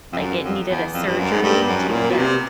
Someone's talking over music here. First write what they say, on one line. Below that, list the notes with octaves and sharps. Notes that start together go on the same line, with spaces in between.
Like, it needed a surgery to get
F2
F#2
F2
E2
F2
G2
F#2
G#2
G2
F#2
A2
A#2
B2
C3